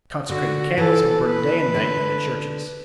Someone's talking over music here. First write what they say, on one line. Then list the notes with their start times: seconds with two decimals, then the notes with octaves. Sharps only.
Consecrated candles had burned day and night in the churches.
0.28 D3 F#4
0.78 E3 A4
1.26 B4
1.75 D3